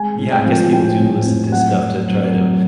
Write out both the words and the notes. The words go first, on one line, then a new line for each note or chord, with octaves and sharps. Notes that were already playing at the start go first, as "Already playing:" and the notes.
Yeah, I guess people do listen to stuff to try to,
Already playing: G#3 G#5
A2
G5
F3
A2 G5
A2
A2
F#3 F#5
F#3
F#3
F#3